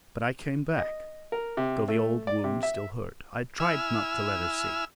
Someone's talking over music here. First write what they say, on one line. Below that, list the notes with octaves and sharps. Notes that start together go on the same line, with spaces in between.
But I came back. Though the old wound still hurt, I tried not to let her see.
D#5
A#4
C3
A3
D5
C3
E5
E4 G#5 E6 F6